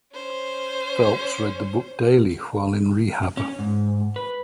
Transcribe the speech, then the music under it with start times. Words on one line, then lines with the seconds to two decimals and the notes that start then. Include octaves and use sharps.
Phelps read the book daily while in rehab.
0.13 C#4 C5
3.37 C#4
3.59 G#2
4.16 B4